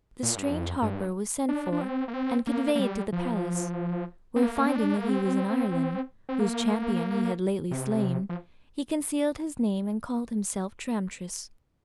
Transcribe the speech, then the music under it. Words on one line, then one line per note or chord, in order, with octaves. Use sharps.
The strange harper was sent for, and conveyed to the palace, where, finding that he was in Ireland, whose champion he had lately slain, he concealed his name, and called himself Tramtris.
A#2
G2
F2
G2
D4
D4
C4
A#3
C4
A#3
A#3
G3
F3
C4
A#3
C4
D4
A#3
C4
C4
A#3
C3
F3